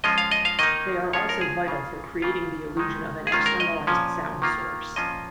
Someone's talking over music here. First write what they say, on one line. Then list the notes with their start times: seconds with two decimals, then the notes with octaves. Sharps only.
They are also vital for creating the illusion of an externalized sound source.
0.04 F3 G#3 C#4 F4 D#5
0.18 F5
0.31 D#5
0.45 F5
0.59 D#3 A#3 D#4 D#5
1.13 F3 G#3 C#4 F4 C#5
1.29 A#4
1.41 G#4
1.68 C#3 A#3 F4
2.22 C#3 A#3 F4
2.77 D#3 G#3 D#4
3.27 G#4
3.32 D#3 G#3 C#4 F4
3.46 A#4
3.60 D#5
3.87 A#2 F3 C#4
4.42 D#3 A#3 F4
4.96 A#2 F3 C#4 F4 D#5